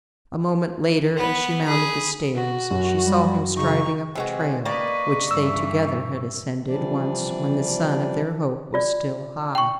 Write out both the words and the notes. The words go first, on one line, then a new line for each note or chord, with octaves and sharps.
A moment later, as she mounted the stairs, she saw him striding up the trail which they, together, had ascended once when the sun of their hope was still high.
B3 B4
G#4 B5
F#4
F#2
G3
C#3 D#4 C#6
C3 G#3 F#4 B4
A#3 B4 D5 D#5 C#6
G2 E3 E6
C3 E3 F3 G3 D4 D5
F4 D5
G5 C#6